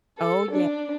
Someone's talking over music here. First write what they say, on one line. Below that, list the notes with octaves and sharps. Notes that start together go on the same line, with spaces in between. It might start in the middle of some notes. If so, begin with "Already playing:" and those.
Oh, ye
A4
D4